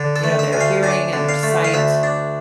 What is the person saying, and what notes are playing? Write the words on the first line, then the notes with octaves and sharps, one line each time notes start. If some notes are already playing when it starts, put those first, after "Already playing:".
you know, their hearing and their sight
Already playing: D3 D4
A4
A3
E5
D2 G#5
F5
D4 G#5
D3
F5
A3
F5
D2 E5
D4